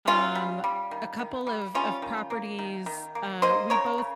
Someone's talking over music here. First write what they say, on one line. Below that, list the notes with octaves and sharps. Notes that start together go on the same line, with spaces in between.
um, a couple of of properties, uh, we both
A#3 C#4 F4
G3
G3
D#3
D#3
G3
G3 C#4 F4
D#3
A#3
D#3
D#3
A#3
A#3 C5 D#5
C#3 A#4 C#5
C#3